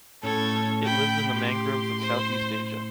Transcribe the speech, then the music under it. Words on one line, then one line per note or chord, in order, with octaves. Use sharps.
It lives in the mangroves of Southeast Asia.
A2 C#4 A4 C#5 G#6
G5 B5
G4 C6
C5